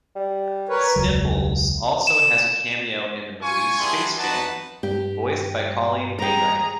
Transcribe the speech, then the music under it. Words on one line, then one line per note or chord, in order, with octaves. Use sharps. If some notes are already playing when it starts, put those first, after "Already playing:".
Sniffles also has a cameo in the movie "Space Jam" voiced by Colleen Wainright.
G3
A#4 B4 C#5
E1 C#2 F#3
E7
F4 G#5 C#6
G3 B3 D4 E4 G#4 C6
D#4 F#4 B4 F#5 A5
G2 G4
G3 G#4 G5 A#5